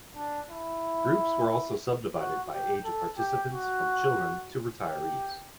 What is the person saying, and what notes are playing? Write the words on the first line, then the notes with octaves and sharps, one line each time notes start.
Groups were also subdivided by age of participants, from children to retirees.
D4
E4
F#4
G4
A4
G4
F#4
G4